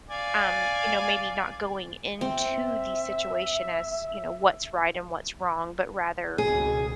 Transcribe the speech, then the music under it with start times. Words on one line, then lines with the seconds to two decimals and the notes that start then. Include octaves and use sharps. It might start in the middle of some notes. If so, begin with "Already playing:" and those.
um, you know, maybe not going into the situation as, you know, what's right and what's wrong, but rather,
0.09 D5 F5 G#5
2.21 C4 E5
6.38 G#1 C#2 B2 G#4